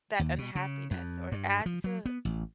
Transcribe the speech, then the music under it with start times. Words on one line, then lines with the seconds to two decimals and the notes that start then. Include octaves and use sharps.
that unhappiness or adds to,
0.19 D#2
0.38 B2
0.55 C#3
0.91 F2
1.32 G2
1.66 F3
1.84 F#3
2.06 B3
2.25 A1